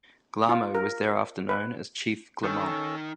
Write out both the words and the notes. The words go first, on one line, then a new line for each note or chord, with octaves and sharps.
Glahmo was thereafter known as Chief Clermont.
F4
A#4
B4
D#3 C#4 A4 A5